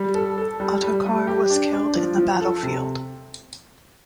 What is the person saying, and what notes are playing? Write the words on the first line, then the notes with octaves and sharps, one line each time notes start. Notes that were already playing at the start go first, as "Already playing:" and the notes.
Ottokar was killed in the battlefield.
Already playing: G3
A4
A4
G3
G3
G3
G4
D4
D4
F3
F3
A4
C3